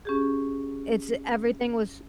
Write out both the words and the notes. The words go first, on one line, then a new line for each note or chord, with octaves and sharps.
it's, eh everything was
C#4 G4 G#4